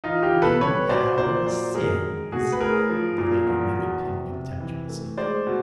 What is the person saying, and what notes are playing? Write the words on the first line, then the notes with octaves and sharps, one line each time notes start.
"In our sins," the lady mimicked him contemptuously.
E3 D#4 F4
F4 G4
E3
A4 B4
G3 B4 C#5
B2 C5 D5
A#2 C5 D5
F#3 C5 D5
D#3 G#4 A#4
G#3
A3 F#4 G#4
B4
A2 G#4 A#4
F3
A#2
E2
B2
C3
C3
E3
A3
G#3 C5 D5
B2